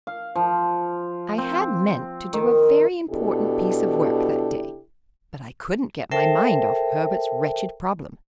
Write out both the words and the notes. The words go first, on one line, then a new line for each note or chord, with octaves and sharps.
I had meant to do a very important piece of work that day, but I couldn't get my mind off Herbert's wretched problem.
F5
F3
C4
D#3
B2 D4 E4 G4 A4
A4 A#4 C5 E5 G5 A5